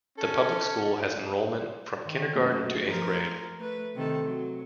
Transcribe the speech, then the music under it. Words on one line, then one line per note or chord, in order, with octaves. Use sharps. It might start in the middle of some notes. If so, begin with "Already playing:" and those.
The public school has enrollment from kindergarten to eighth grade.
C#4 A4
D#3
F#2 A3 A#3
F3 A#4
A3 B4
C3 D#3 A4
F#3